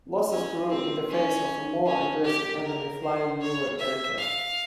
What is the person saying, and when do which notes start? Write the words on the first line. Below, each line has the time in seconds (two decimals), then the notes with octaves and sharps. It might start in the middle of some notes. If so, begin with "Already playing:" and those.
Losses grew in the face of a more aggressive enemy flying newer aircraft.
0.31 C#4
0.70 C4
1.08 C#4
1.86 C#4
2.24 G4
2.63 A#4
3.02 C5
3.40 C#5
3.78 E5
4.18 F5